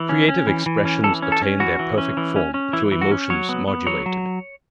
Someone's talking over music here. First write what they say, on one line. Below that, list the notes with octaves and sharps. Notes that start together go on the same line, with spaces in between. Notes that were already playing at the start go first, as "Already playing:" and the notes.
Creative expressions attain their perfect form through emotions modulated.
Already playing: E3
C#4
C#4
E3
E3
C#4
E3 A4
C#4
A4
C#4
E3 F#4
E3
C#4
E3
C#4
C#4
E3 E4
E3
F#4
C#4
F#3 C#5
B3
B3
F#3 C#5
F#3